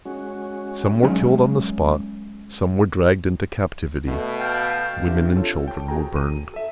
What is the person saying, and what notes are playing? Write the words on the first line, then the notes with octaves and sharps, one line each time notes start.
Some were killed on the spot; some were dragged into captivity; women and children were burned.
G#3 C#4 F#4
F#3 G#3 C#4
B2 A3
F5 G5 A5
C4 D4 G4 E5
F4 A4 C#5
G5 A5
F#4 G#4 A4 G5 G#5 A#5
D#7
A4 E5